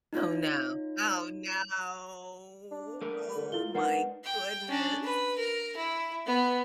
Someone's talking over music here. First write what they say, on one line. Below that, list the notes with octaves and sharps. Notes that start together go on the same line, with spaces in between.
Oh no oh no. Oh my goodness.
D#4 F4 C#5
D4
A3 A#4 B4
D3
E4 F4 G7
G#3 D4 D#4 A#4 B4 F#5
G5
C#4 D4
B4
A#4
E4
B3